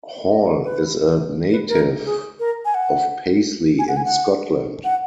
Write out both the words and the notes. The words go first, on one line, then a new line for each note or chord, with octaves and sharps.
Hall is a native of Paisley in Scotland.
D#5
B4
B4
A#4
G#4
A#4
G#5
F#5
G#5
F#5
G#5
F#5
F#5